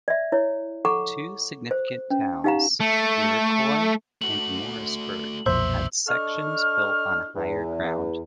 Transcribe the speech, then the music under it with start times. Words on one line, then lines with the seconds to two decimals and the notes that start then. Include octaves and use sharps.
Two significant towns, Iroquois and Morrisburg had sections built on higher ground.
0.08 D5 E5
0.32 E4 C#5
0.85 A4 F#5 A#5 C#6 D6
1.71 C5
2.10 C#4
2.44 D#4 G4 F5 F#5 A#5
2.81 A3
4.21 A3 F#4 F#7
5.46 B1 F2 A#2 D#3 C5 E5 E6
6.08 D4 A4 D#5 C#6 F6
7.36 E2